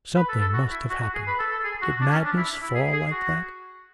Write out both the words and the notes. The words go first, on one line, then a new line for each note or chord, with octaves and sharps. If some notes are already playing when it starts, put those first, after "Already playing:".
Something must have happened. Did madness fall like that?
B4
A4
A4
F#4
E4
F#4
F#4
G#4
B4
A4
A4
G#4
F#4
D4
C#4
D4
E4
E4
G#4
G#4
F#4